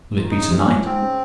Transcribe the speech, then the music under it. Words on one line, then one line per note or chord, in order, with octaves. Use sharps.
"Will it be to-night?"
F3
D#3
C#3 D#4
C3
C#4
A#2
G#2 C4
C#3